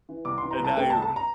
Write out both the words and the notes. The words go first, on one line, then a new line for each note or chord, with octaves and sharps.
and now you're
E3
C2 D6
E3 C6
A#5
C2 A5
A3 G5
A5
C2
A5
A#5